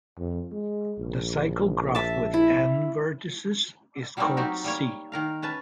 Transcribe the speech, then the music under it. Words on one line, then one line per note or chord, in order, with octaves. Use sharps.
The cycle graph with "n" vertices is called "C".
F2
G#3
A#1
E5 A5
E4
F#3 G3 A3 A#3 C4 D#4
F#3 A#3 C4 D#4 F#4 G4
G3 A#3 C#5
D#3 A#4 F5
C#4 B4 A5